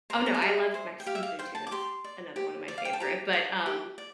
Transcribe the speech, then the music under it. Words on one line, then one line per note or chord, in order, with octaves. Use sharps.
Oh, no. I love Mexican food too. That's another one of my favorite. But, um
C5 A#5
A#5
F5
G4 E5
C5
G5
G4 F5
E5
F5
C5 G5
A5
D6
G4 C6
D5
G4
D5
F5
G5
A5
G4 A#5
D5
G4
D5